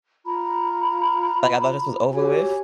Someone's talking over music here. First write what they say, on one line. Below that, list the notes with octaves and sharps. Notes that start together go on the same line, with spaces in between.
like, "I thought this was over with?"
F4 A#5 B5
F#4 G4 C#5 G#5